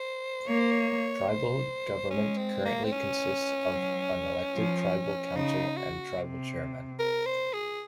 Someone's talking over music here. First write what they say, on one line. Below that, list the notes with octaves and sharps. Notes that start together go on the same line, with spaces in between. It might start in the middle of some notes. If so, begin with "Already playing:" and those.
Tribal government currently consists of an elected tribal council and tribal chairman.
Already playing: C5
A#3 C#5
C5
C#5
C5
G#3 C#4
C4
A#3
C4
C#4
F#3
F3
C#3 D#4
F#4
C3
A#4
C5
G#4